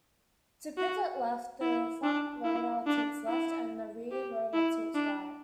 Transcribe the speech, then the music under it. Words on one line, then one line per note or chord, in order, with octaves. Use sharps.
To pivot left, the front rotor tilts left and the rear rotor tilts right.
F#4
E4
D4
E4
D4
E4
G4
E4
D4